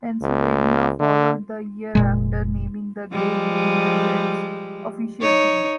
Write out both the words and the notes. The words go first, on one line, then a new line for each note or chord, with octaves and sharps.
Pennsylvania followed the year after, naming the Great Dane as its official breed.
C#2
D3
F1 A#2 G#3
F3 G3 G#3
D#4 C#5